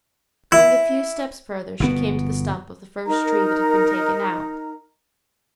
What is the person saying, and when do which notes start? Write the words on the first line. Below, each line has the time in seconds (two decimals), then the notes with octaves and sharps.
Going a few steps farther, she came to the stump of the first tree that had been taken out.
0.52 E4
1.80 G1 B2 B3
3.06 D#4 A#4 A#5